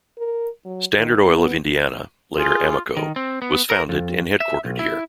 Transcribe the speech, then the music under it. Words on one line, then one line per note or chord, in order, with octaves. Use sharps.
Standard Oil of Indiana, later Amoco, was founded and headquartered here.
A#4
F#3
D#3
B3
F4 G#4
D#3
C4
B3
A#4
F2
E5
B1
E4